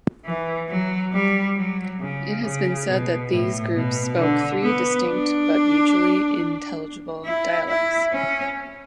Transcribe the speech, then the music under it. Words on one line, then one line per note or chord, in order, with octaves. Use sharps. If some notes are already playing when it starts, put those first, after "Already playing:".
It has been said that these groups spoke three distinct but mutually intelligible dialects.
E3
F#3
G3
F#3
C#3
C#3
B2
A2
B2
D3
B3
D4
E4
E4
C#4